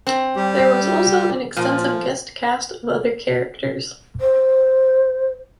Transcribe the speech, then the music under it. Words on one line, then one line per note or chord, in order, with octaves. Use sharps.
There was also an extensive guest cast of other characters.
C4
G3 G4
A#2 F3
C5